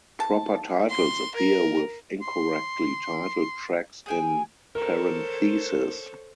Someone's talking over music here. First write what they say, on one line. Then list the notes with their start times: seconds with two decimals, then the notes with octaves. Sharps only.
Proper titles appear with incorrectly titled tracks in parenthesis.
0.20 A5
0.90 C6
1.35 A#4
2.22 C6
4.06 G#4 G5 G#5
4.75 A4 A#4 C5 C#5